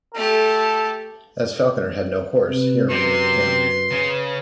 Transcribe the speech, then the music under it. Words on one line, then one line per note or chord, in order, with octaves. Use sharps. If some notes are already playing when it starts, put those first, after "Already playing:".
As Falconer had no horse, he remained in camp.
A3 G4 A4
C3 B4
F#2 C3 C6
C#3